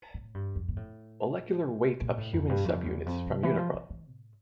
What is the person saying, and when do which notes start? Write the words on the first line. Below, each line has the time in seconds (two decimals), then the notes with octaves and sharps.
Molecular weight of human subunits from Uniprot.
0.14 A2
0.34 G2
0.56 F2
0.68 A#2
0.77 A2
2.01 A#2
2.18 A2
2.33 F2
2.49 G2
2.65 F2
2.85 E2
3.06 F2
3.26 C3
3.43 E3
3.58 F3
3.74 E3
3.90 E3
4.10 A2